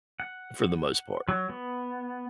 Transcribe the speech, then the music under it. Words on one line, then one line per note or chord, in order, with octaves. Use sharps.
for the most part.
F#5
F#3
B3